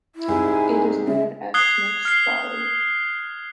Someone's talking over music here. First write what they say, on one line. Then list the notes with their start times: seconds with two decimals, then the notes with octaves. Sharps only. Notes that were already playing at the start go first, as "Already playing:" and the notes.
It is known as "Smith's Folly".
0.16 E4
0.28 C2 G#2 G#5
1.07 C#3 E5
1.54 D#6 F#6 G#6 C7 G7
2.05 F6 C7